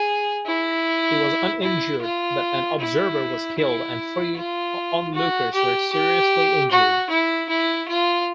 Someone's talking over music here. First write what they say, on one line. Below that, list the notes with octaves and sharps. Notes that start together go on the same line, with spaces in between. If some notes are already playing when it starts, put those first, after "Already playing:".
He was uninjured but an observer was killed and three onlookers were seriously injured.
Already playing: G#4
E4
E4
F4
E4
E4
F4
F#4
G4
G4
F#4
E4
E4
F4